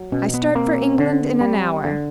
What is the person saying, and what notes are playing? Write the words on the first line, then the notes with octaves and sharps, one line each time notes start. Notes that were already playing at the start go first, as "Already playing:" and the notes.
"I start for England in an hour."
Already playing: F#3
B2 C#4
B3
A#3 C4
D3
G3
D3